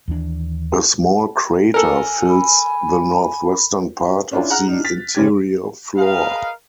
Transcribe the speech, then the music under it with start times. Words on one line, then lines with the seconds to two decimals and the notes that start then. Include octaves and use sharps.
A small crater fills the northwestern part of the interior floor.
0.08 D#2 E3 D4
1.74 A4 A#4 G#5
2.30 B5
4.32 C#4 D4 E4 F4
4.50 G#4 F#5 A#5 F6 F#6
4.68 D4 D#4
4.84 A6 B6
5.15 F#1 C#4 G4 G#6
5.97 G#4 A#4 B4 D#5 F5